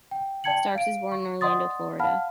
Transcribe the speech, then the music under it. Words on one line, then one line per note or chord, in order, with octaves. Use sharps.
Starks was born in Orlando, Florida.
G5
D5 G5 A5 G#6 C#7 F#7
F5 D7
C#6
D5 D#5 F#5 C6 D#6 A6
F5 F#5 A5 B5 F6